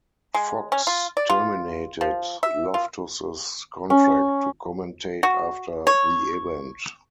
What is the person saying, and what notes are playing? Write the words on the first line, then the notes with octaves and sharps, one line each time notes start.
Fox terminated Loftus's contract to commentate after the event.
G#3
C#4
F4
D5
F4
F3
E5
F4
C#4
F#4
C#5